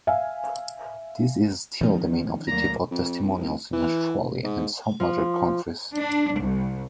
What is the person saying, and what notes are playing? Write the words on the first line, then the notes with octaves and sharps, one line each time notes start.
This is still the main objective of testimonials in Australia and some other countries.
E5 F5 G#5
D#3 F3 C4 C#4 D#4
D2 F#3 A#3 D5 A#5
F2
C2
E3
G#2
F3
D4
C2